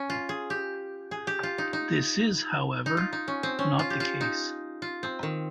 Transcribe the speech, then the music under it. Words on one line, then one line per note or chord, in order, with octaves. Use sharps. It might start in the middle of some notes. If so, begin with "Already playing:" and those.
This is, however, not the case.
Already playing: C#4
F4
G#4
G4
G#4
G4
F4
D#4
D#4
D#4
F4
D#4
C#4
C4
C#4
F4
G4
F4
D#4
F4
C4
D#3